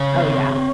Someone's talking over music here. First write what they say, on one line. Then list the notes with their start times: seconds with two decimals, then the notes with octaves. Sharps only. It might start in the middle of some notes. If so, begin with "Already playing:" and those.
Oh, yeah.
Already playing: C#3 C#5
0.15 C4
0.38 C#3